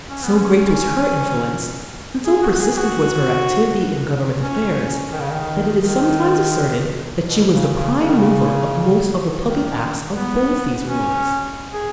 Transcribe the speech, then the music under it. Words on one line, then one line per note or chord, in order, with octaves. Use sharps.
So great was her influence and so persistent was her activity in government affairs, that it is sometimes asserted that she was the prime mover of most of the public acts of both these rulers.
C#4
B3
C#4
G#4
F#4
F#4
G#4
G#4
F#4
C#4
D#3
C#3
D#3
D#3
B2
C#3
C#3
C#3
D#3
C#3
D#3
B3
C#4
G#4